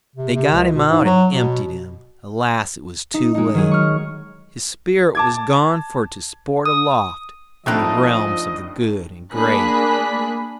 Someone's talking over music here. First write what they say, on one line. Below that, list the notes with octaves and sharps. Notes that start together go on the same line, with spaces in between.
They got him out and emptied him; Alas it was too late; His spirit was gone for to sport aloft In the realms of the good and great.
C3
C3
C#2
B2
G#2
F#3
B2
D#4
G#3 D#4
D#3 F#3 G#4
C#6 F6
A5 D6 G#6
D#6
C2 A2 F3 D4 D#4 D#5 F#6
A#3 D4 G#4 B5 F#6 B6